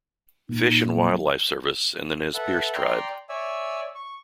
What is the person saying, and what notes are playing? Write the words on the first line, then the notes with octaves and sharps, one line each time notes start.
Fish and Wildlife Service and the Nez Perce Tribe.
A#2 D#4
F#3
A4 B4 E5 F#5
D5 G5 A#5 C6
C#5 D5 E5 G#5 E6
C#6